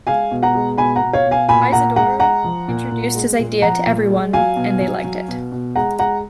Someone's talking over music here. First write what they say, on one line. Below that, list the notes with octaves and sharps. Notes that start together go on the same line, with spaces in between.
Isidor introduced his idea to everyone, and they liked it.
G#3 F5 G#5
B2
F#5 A#5
G#3
B2 G#5 B5
F#5 A#5
B2
C#5 F5
B2
F5 G#5
A#2 G#5 B5
A#2 F#5 A#5
G#3 F#5 A#5
G#3 F#5 A#5
F3
A#2
A#2
G#3
A#2
F3 F#5 A#5
A#2
G#3
F#3 F5 G#5
B2
F#3
F#3
B2
B2
G#3 F#5 A#5
G#3 F#5 A#5